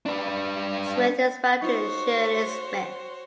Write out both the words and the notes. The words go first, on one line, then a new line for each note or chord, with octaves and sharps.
Smith is married to Shirley Smith.
D4 B4
D#4 F4 F#4 C5 C#5 C#6